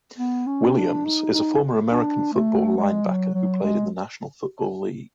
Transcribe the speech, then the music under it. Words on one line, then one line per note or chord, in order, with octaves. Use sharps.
Williams, is a former American football linebacker who played in the National Football League.
B3
C#4
D4
D#4
D#4
D4
A3
G#3
F#3
F#3
G#3